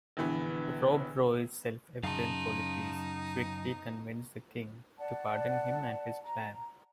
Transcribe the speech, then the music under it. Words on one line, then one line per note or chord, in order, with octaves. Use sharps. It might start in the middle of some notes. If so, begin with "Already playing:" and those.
Rob Roy's self-evident qualities quickly convince the king to pardon him and his clan.
A#1 D3 E3 B3
F#2 C#3 D#4 F5 A5
D5 F#5 A5
A#5